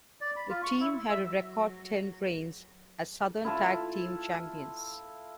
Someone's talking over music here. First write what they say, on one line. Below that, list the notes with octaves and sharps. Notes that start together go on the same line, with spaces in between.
The team had a record ten reigns as Southern Tag Team Champions.
D5
B5
F4
C#6
E4
F#3 E5
E4 F4 A4